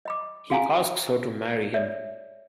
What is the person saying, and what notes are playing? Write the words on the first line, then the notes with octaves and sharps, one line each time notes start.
He asks her to marry him.
D#5 B5 D6
F#4 G#4 F5 F#5 G#5 A#5
C#5 D5 E5